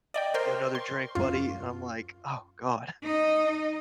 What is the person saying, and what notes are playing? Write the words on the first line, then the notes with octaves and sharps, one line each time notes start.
"Get another drink, buddy." And I'm like, "Oh god."
D5 D#5 G5
A#4 C5 G5 C6
C6
F#2 F4
D#4 D#5